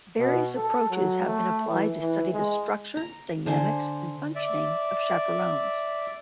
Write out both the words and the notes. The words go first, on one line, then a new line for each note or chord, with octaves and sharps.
Various approaches have been applied to study the structure, dynamics and functioning of chaperones.
B2
A4
F#3
A3
E3
E3
G#3
A#5
D3 C5 G#5
D5 E5